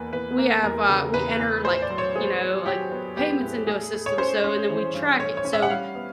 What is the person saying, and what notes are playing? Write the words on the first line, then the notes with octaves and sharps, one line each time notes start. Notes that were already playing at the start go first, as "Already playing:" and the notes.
we have, uh we enter, like, you know, like, payments into a system, so, and then we track it, so
Already playing: E2 A#3 B4
E2 B4
A#3
E2 A#4
C#3
E2 B4
E2
A2 C5
D5
F#3
C#5
B3 G#4
F#3
F#3 G4
B3
B3 G4
A2
A3 G#4
A3
C#5
C#4 C5
C#4
E3
G2
A3 C#5
C#5
C#4
E5
F#5
G3 F5
B3